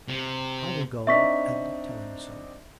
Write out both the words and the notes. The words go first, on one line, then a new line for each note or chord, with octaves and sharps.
I will go and tell him so.'
C3
C4 D4 D#4 E5 C#6 B6